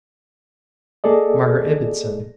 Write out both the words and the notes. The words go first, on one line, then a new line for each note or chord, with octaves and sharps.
Margaret Ibbotson!
A#3 G#4 A4 D5 D#5